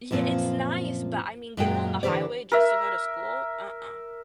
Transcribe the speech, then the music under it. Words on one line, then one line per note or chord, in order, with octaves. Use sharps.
Yeah, it's nice, but, I mean, getting on the highway just to go to school? Uh-uh.
F#2 A#2 F3 C4 B4 C5
F#2 A#2 F#3 G#3 G5
D3 E3 F4 G4 C5 D5
A#4 E5